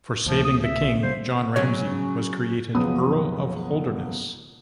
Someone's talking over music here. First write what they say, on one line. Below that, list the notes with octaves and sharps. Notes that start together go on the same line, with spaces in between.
For saving the king, John Ramsay was created Earl of Holderness.
D2 A#2 F3
D#6
E5
B1 C#3
C#3 G3 A#3 C5
C#3 F#3 C#4 C#5
F#1 C#2 B2 F3 B3 D#6